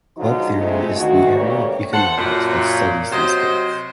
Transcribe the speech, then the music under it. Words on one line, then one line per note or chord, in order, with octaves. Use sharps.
Club theory is the area of economics that studies these goods.
G#2 D3 F3 F#3 D#4 F4
C3 G#3 A3 D#4 F4 G#4
D2 D#3 F#4
D2 C#3 E3 G3 A#3 C#5
A4 C5 F#5
F#2 A#2
C3 F#3 C5 D#5